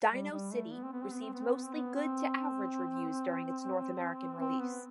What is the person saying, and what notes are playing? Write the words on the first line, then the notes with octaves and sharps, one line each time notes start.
"DinoCity" received mostly good to average reviews during its North American release.
G3
G3
A3
B3
C4
B3
C4
B3
C4
B3
C4
B3
C4
B3
C4
C4
B3